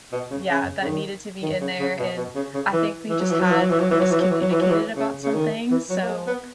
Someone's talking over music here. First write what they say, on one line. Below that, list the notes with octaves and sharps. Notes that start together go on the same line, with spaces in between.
Yeah, that needed to be in there, and I think we just had miscommunicated about some things, so,
B2
C#3
C#3
C#3
D#3
D#3
C#3
C#3
B2
B2
C#3
C#3
E3
E3
F#3
E3
F#3
E3
F#3
E3
F#3
E3
F#3
E3
F#3
E3
F#3
E3
F#3
E3
C#3
C#3
D#3
E3
F#3
A#3
G#3
B3